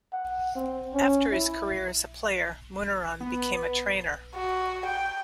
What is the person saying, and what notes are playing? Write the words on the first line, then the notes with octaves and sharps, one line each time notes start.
After his career as a player, Munaron became a trainer.
F#5
C4
C#4
E4
B3
F#4
G5